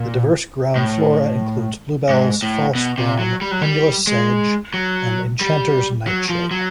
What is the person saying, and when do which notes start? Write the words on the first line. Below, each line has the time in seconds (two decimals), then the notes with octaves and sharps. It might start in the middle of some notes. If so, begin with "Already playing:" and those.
The diverse ground flora includes bluebells, false brome, pendulous sedge and enchanter's nightshade.
Already playing: A#2
0.76 A2
2.09 G#2
2.42 A2
2.75 B2
2.98 C3
3.19 F#3
3.42 G3
3.51 F#3
3.62 G3
4.07 G#3
4.74 F#3
5.41 G3
6.07 F#3
6.29 F3
6.51 F#3